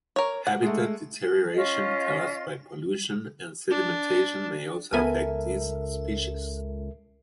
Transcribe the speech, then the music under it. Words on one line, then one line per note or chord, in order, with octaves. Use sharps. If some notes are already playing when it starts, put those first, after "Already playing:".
Habitat deterioration caused by pollution and sedimentation may also affect this species.
A#4 C#5
F#5
G#3 A3
C#4 F4 D#5
D4
C#2 B3 A4 A#4 E5 G#5 D#7